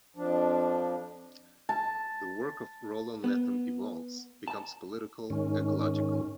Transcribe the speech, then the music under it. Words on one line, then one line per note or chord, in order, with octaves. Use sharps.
The work of Roland Lethem evolves, becomes political, ecological.
F2 F3 D4
A5
B3
A5
G#2 D#3 C#4